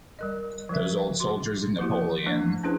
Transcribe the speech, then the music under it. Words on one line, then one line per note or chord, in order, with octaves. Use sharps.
Those old soldiers of Napoleon!
G3 A#4 D#5
F3 G3 A#4 E5
F#4 C6
F3 A#3 B3 E4 F#4 G4
F3 A3 A#3 D4
C#4 D4 E4 G#4 B4 C5